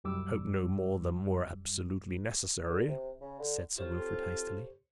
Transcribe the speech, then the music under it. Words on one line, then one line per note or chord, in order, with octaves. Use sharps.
"I hope no more than were absolutely necessary!" said Sir Wilfrid, hastily.
C2 F#2 G3 D6 E6
D3
C3
C#3
D3
C4 F4 G4 A4 C5 C#5